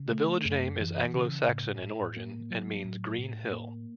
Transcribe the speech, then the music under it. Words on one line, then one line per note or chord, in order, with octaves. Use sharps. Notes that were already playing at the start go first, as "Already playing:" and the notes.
The village name is Anglo Saxon in origin, and means 'green hill'.
Already playing: C#3
A3
F#2
E3
C#3
A2
A2
A#3
F#3
A2
A2
A#3